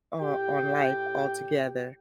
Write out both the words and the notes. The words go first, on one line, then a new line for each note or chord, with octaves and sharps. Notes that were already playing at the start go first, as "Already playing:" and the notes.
on on life altogether.
A2 G4 G5